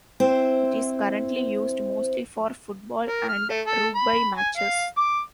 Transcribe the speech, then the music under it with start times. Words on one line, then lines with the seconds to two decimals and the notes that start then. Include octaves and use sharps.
It is currently used mostly for football and rugby matches.
0.20 C4 E4 C5
3.08 A#4
3.29 F6
3.49 A3
3.67 A4
3.95 B5
4.37 G#5
4.57 F5
4.97 D6